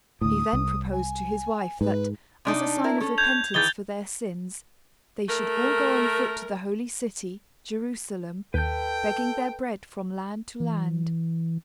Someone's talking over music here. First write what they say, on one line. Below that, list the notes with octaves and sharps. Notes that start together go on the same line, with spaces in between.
He then proposed to his wife that, as a sign of repentance for their sins, they should all go on foot to the holy city, Jerusalem, begging their bread from land to land.
D2 A2 D#6
C2
G#5
G#2 B4
C3 D4 D#4
E4 A#4
C#4 A4
G6 G#6 F7
D#3 E3 G#4 G6 A6 G7
A3 A#4
D#2 A4 B4 G5 G6
E3